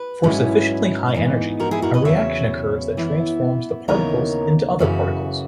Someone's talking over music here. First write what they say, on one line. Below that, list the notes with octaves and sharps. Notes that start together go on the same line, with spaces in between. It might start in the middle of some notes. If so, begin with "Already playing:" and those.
For sufficiently high energy, a reaction occurs that transforms the particles into other particles.
Already playing: B4
G#2 F#3 C#4 E4
G#2 E3 B3 D#4
F#4 A#4
E4 G#4
F#4 A#4
B4 D#5
E2 C#3 F#3 B3 E4 C#5 E5
F#2 E3 B3 E4
D#2 C#3 E3 B3 D#4 A#4 C#5
F#2 C#3 E3 F#4